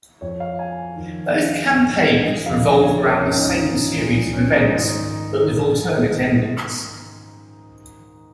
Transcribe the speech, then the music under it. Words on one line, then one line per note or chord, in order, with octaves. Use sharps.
Both campaigns revolve around the same series of events, but with alternate endings.
F2 F3 C#5
F5
G#5
F2 D#3
F5
G#2 F3
D#5
D#5
F2 C#3 F3 F5
D#5
C#5
A#4
G#2 F3 C#4
D#4
A#2 F3
C#4
D#4
G#2 D#3 D#4